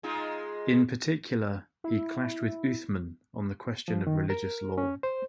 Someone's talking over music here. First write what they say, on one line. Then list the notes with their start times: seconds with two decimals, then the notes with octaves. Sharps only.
In particular, he clashed with Uthman on the question of religious law.
0.03 G#3 D#4 F4
1.84 E4
3.88 F3
4.07 D#3
4.30 A#4
4.78 C#4
5.03 C5